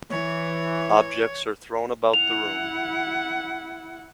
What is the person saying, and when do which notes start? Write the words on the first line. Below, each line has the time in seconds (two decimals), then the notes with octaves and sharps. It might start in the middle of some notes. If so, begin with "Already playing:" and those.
Objects are thrown about the room.
0.10 E3 C#5
2.14 E4 F#5 F7